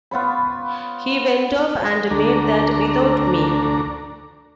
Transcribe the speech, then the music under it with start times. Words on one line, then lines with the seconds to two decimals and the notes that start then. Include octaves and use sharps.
He went off and made that without me.
0.11 B3 F4 C#5 B5
2.10 D2 A3 D4 A#5